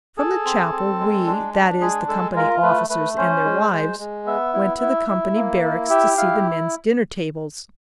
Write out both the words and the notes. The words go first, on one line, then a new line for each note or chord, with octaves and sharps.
From the chapel we--that is, the company officers and their wives--went to the company barracks to see the men's dinner tables.
G#4 A4
C4
C4
G#3
D4
D4
G#3 G#4
G#3 A4
F4 A#4
A3 B4
A3 B4
C#4 C5
G#3
G#3
G#3
B3 E5
E4
E4
E4
A#3
E4
G4 E5
E4 F5